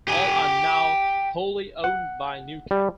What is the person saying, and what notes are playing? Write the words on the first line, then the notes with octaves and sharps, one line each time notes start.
All are now wholly owned by Newcap.
G4 G#5
F#5
G3